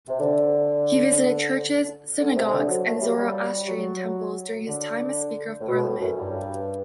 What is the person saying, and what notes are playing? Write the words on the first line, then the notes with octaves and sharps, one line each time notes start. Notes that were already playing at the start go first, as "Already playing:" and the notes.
He visited churches, synagogues and Zoroastrian temples during his time as speaker of Parliament.
C3
D3
D3
C3
D3
F#3
A3
G3
F#3
G3
F#3
D3
A2
B2
A2
F#2
G2